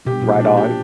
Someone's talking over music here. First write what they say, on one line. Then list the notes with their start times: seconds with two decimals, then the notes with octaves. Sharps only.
Right on.
0.06 B2 G4
0.22 A#2 F3
0.32 B2
0.40 D4
0.57 G4